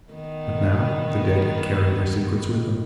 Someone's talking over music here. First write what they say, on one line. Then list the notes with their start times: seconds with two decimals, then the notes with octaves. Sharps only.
But now the dead had carried their secrets with them.
0.12 D#3 B3